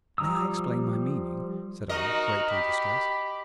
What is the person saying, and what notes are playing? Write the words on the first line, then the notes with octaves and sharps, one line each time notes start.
"May I explain my meaning?" said I, greatly distressed.
F3 G3 A#5 D#6 E6
D#4 F#4 A#4 D#5
G4 B5